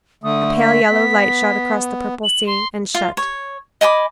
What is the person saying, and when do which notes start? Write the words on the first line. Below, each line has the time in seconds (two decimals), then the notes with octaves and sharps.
A pale yellow light shot across the purple sea; and shut.
0.24 D3 A3 D#6
0.60 B6
0.91 B3
2.24 F#7
2.47 C6
2.94 F4
3.17 C#5
3.81 D#5 G#5 B5 D6